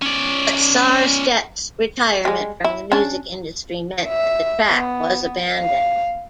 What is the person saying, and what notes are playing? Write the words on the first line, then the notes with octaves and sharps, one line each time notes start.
But Sarstedt's retirement from the music industry meant that the track was abandoned.
C#4 D5
G3 G#3
E4
C#4 D4
E5
B3
F5